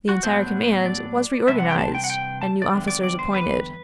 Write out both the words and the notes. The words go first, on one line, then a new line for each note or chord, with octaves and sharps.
The entire command was reorganized, and new officers appointed.
F#4
A2 F#3 B3 D4 C5
D5
C3 E3 G3 B3 D4 E5
F#5
G5
A5
G5
F#5
G5
A5
D5
E2 D3 G3
D5
D5
C5
B4